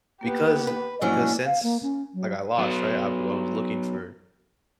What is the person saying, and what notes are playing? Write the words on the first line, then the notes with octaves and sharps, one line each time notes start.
because, eh because since, like, I lost, right? I was I was looking for
A#3 B3 G4
B4
G#2 F3 F#3 A#3 C#4 D4 E4
F5
A#3
C#4
F#3
F#3 B3